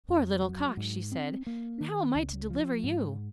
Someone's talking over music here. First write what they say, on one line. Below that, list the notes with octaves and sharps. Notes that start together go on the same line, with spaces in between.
'Poor little cock!' she said, 'and how am I to deliver you?'
F2
F#3
G#2
C4
A#3
D#3
C#2
F3
G#2